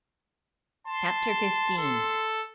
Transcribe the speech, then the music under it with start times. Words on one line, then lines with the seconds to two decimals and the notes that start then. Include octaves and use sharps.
Chapter XV.
0.87 A5 C6
1.78 A4